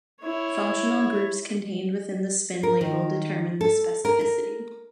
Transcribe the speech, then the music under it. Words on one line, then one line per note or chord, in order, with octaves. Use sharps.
Functional groups contained within the spin label determine their specificity.
E4 C#5
A#4
D#3
A4
A#4
A#4